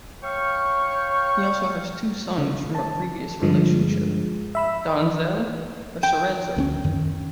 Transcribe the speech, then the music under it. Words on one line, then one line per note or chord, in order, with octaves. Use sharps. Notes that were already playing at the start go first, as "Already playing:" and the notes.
He also has two sons from a previous relationship, Denzell and Cerezo.
C#5 F5 G5 C#6
C#3
A5
G2 D3 F3 G#3
E5 B5 E6
G5
D2 A3 C#4
F#2 D#3